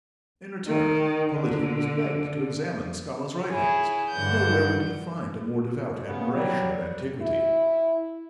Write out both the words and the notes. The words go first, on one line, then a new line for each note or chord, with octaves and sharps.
In return, Politian was begged to examine Scala's writings: nowhere would he find a more devout admiration of antiquity.
D#3
D3
E4 G#4 C#5
G2 D3 E3 F#5 G6
C#3 B3
F#3 G3
E4